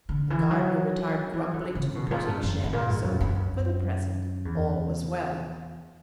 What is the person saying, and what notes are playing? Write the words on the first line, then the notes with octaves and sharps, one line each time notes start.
The gardener retired grumbling to the potting shed, so, for the present, all was well.
D3
E3
F#3
E3
D3
C#3
B2
G2
A#2
G2
F#2
G2
A#2
G2
F#2
F#2
E2